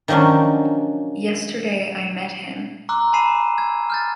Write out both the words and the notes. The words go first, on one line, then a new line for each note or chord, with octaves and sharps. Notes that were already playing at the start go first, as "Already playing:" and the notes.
Yesterday I met him.
D#3 F3 F#3 C#4 D4
A#5 C6 D6 E6 F#6
G#5 A5 B5 C7 D#7 E7
E6 G#6
F6 G6 A6